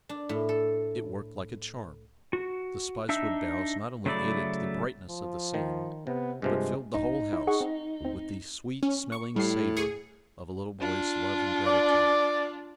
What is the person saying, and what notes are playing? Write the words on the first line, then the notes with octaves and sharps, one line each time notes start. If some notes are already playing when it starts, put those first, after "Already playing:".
It worked like a charm; the spicewood boughs not only added to the brightness of the scene but filled the whole house with the "sweet smelling savour" of a little boy's love and gratitude.
D4
A2
A4
F#4
D4 D#4 E5 E6
C#3 F#3 A3 E4 D5
F3
D#3
C3 B3
G2 C3 F3 G#3
A#1 D#4
E4
G#4 F#5 C#6
C4
D2 C4
C#4
C#6
A2 G3 C7
G#4 C#7
D4 F4
D5